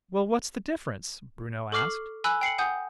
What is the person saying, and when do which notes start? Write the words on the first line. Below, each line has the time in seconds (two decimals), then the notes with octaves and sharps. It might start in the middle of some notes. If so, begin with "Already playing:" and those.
"Well, what's the difference?" Bruno asked.
1.72 A4 C#6 D6 F6 C7 F#7
2.24 G#5 B5 E6 F#6
2.41 G5 C7 C#7 F#7
2.58 F#5 G#5 D#6 G6